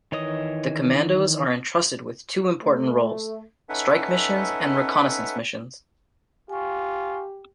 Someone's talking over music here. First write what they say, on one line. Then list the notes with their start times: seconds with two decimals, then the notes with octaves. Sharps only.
The commandos are entrusted with two important roles: strike missions and reconnaissance missions.
0.12 D#3 E3 C#5 D#5 D#6
2.62 A3
3.69 C#4 D#4 A4 B4 E5 F#5
6.49 F4 G4 G#5 C#6